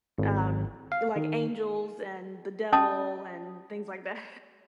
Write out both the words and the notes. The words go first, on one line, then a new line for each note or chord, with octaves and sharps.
um, like angels and the devil and things like that.
G#1
F5
D#3
C#4 D#5 A5 D#6